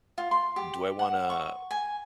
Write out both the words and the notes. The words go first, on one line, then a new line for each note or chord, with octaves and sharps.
"Do I wanna
F4
C6
G4
F#5
C#6
G#5